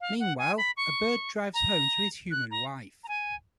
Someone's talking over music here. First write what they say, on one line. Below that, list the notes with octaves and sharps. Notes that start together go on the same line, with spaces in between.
Meanwhile, a bird drives home to his human wife.
F5
F#5
G#5
B5
C#6
A#5
F#6
A#5
A#5
G#5